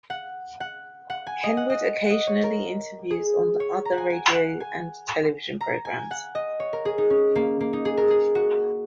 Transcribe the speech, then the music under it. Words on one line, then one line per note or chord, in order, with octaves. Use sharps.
Henwood occasionally interviews on other radio and television programs.
F#5
F#5
F#5
G#5
D#5
F#5
D#5
D#5 F#5
C#5
A#4
G#4
C#5
A#5
F#5
G#5
G#5
F#5
G#5
A#5
G#5
F#5
D#5
C#5
A#4
G#4
D#4
C#4
A#3
A#3
D#4
G#4
A#4
G#4
F#4